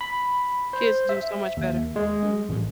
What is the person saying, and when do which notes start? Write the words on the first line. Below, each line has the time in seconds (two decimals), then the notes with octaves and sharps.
Kids do so much better. Mhm.
0.01 B5
0.73 C5
1.09 E5
1.57 D#2
1.96 G#3
2.49 A1